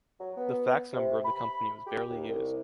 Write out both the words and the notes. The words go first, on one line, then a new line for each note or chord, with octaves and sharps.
The fax number of the company was barely used.
F#3
B3
C3
B5
G4
D#2
C2